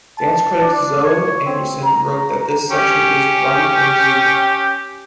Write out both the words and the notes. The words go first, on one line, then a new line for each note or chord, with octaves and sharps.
Dance critic Zoe Anderson wrote that this section is "bright and exuberant".
A5
D4
C#5
C4
A#5
C#4 G4